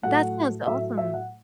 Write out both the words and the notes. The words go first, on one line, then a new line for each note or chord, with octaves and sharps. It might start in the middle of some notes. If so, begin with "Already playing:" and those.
That sounds awesome.
A2 F#3 A3 F#5
A2 F#3 A3 E5
E5
F#5